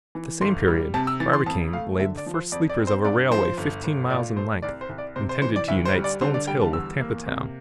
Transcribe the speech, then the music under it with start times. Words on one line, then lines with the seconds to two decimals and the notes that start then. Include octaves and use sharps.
At the same period Barbicane laid the first sleepers of a railway fifteen miles in length, intended to unite Stones Hill with Tampa Town.
0.15 E3
0.41 G1 C6
0.67 G3
0.94 C3 A5
1.07 E6
1.20 E3 A6
1.33 C6
1.46 F2 A5
1.73 A3 F5
1.99 D3 E5
2.17 D5
2.26 F3
2.34 C5
2.52 F2 D5
2.69 D5
2.78 C4
2.87 C5
3.05 G2 D5
3.31 F3 C5
3.57 G1
3.84 G1
4.10 A#2 D5
4.37 A3 C5
4.62 C2 D5
4.81 C5
4.89 C2
4.98 D5
5.16 C3 C5
5.29 C5
5.42 E3 C5
5.56 D5
5.68 D2 E5
5.85 C5
5.95 G3
6.04 D5
6.21 D3 C5
6.34 D5
6.47 G3 G5
6.61 A5
6.73 E2 E6
7.00 A#3
7.26 C3